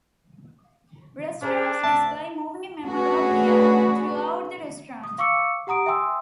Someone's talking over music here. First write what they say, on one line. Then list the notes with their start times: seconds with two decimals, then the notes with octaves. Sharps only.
Restaurants display movie memorabilia throughout the restaurant.
1.42 C#4 D4 G#4 A#4 C5
1.84 D2 C#3 E5 A5
2.83 A3 C#4 D4 F#4 G#4 B4
5.04 D#6
5.18 F5 C#6 D6 E6 C#7
5.67 G4 F#5 A#5 D#6 D7
5.86 E5 G5 G#5 C6 D#6 E6